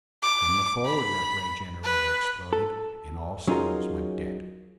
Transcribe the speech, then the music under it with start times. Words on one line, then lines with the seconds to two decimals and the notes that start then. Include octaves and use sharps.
Then the forward rep-ray generator exploded, and all signals went dead.
0.22 D6
0.85 B5
1.83 B4
2.53 A4
3.47 F#3 C#4 D#4 F4 G#4 A#4